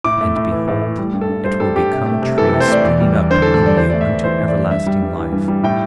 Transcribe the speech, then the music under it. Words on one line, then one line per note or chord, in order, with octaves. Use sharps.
And behold, it will become a tree, springing up in you unto everlasting life.
A2 D6
A3
A2
E3
A2
A3
G3
G2
A4
G2
G3 C5
G3 A4
G2 G4
C3
A3
C3
E3 A4
A4
C3
C5
A3 D5
E2
G3
E2
D3 C5
A4
E2
A4
G3 D5
E2 C5
D5
A3
E5
E2
E3 C5
E2
D5
A3
G2 E5
G3
G2
E3
G2
G3
A2 G5